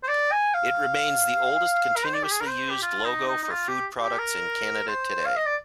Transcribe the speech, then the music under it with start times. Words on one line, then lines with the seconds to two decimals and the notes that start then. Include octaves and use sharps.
It remains the oldest continuously used logo for food products in Canada today.
0.03 C5
0.08 D5
0.32 G#5
0.54 F5
1.96 A#4
2.05 C5
2.14 D5
2.24 G4
2.31 G#4
2.40 A#4
2.48 C5
2.70 G4
2.83 F4
3.05 D#4
3.27 D#4
3.43 D#4
3.51 F4
3.68 G4
4.02 G4
4.19 A#4
4.88 C5
5.25 F5
5.36 D#5
5.46 D5